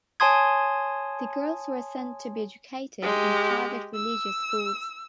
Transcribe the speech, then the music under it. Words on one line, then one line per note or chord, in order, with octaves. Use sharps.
The girls were sent to be educated in private religious schools.
C#5 G#5 A5 C6 D#6 G#6
G#3 G4
E6